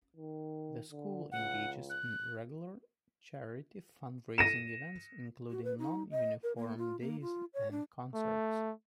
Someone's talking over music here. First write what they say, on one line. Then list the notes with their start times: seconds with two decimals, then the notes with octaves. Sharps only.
The school engages in regular charity fund-raising events, including non-uniform days and concerts.
0.16 D#3
0.91 D3
1.32 C#2 F#5
1.90 F#6
4.38 A#6 D#7 E7
5.50 F#4
5.64 B4
5.78 D#4
6.11 D#5
6.43 A#4
6.56 A#3
6.78 F4
7.00 A#3
7.21 F4
7.54 C#5
7.71 D4
8.14 A3